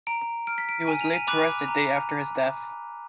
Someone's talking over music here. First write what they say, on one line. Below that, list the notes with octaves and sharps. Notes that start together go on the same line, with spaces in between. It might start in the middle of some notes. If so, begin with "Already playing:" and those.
He was laid to rest a day after his death.
A#5 D7
F6 D7
B6
D7
G#5 D#7
F7
D#7
B5 D6 F#6 F7
A#5